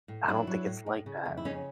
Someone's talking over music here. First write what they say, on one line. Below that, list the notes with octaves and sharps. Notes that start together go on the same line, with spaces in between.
eh, I don't think it's like that.
A2
F#3 D4 E4
F#3
A2
A2
C#3
F2
E4
C#3 C#4 D#4